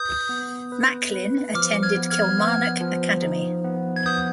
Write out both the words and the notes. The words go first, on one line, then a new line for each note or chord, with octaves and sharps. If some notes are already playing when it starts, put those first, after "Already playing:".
Macklin attended Kilmarnock Academy.
Already playing: B4 D#6 G6
B3
B4
B4
F3 D6 F6
F6 G#6
B3
F6 G#6
B3
F3
D#4
B3
G#6
B3 D#6 G6